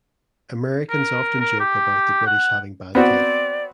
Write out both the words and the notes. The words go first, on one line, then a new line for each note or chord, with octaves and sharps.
Americans often joke about the British having bad teeth.
A#4
A#4
G4
F#5
B3 C4 F#4 D5